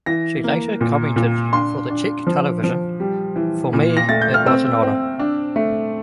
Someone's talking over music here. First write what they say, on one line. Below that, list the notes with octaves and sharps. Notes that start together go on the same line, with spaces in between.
She later commented for the Czech Television: "For me, it was an honor".
E3 A#6
A#3
A#2
A#2
D4 C6
D4
F3
F3
G3
E3
A#2
A#6
A3 A6
G6
F6
C4 E6
C4
D4
A3